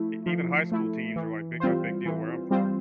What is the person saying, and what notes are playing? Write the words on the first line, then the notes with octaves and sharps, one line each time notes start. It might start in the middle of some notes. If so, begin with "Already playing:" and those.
e even high school teams are, like, big a big deal where I'm from.
Already playing: F3 A3 E4
F3
A3 E4
E3
G3 C4 F4 C5
E3
G3 C4 F4 C5